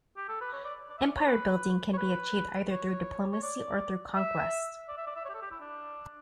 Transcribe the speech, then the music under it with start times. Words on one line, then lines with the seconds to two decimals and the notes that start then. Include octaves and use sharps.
Empire building can be achieved either through diplomacy or through conquest.
0.17 G4
0.29 A4
0.41 B4
0.53 C#5
0.64 D5
0.89 D5
0.98 E5
1.07 D5
1.16 C#5
1.26 B4
1.93 C#5
1.97 B4
2.71 C#5
3.32 C#5
3.42 D5
4.16 E5
4.88 D5
4.97 E5
5.07 D5
5.16 E5
5.25 C#5
5.29 G4
5.34 A4
5.42 G4
5.51 E4
5.60 D4